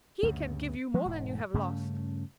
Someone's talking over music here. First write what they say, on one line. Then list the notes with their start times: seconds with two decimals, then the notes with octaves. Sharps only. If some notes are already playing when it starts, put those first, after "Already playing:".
"He can give you more than you have lost."
0.23 D2 G2 C#3
0.94 F3 G#3 A#3
1.06 E1 G#2
1.54 G2 C#3 A3 C#4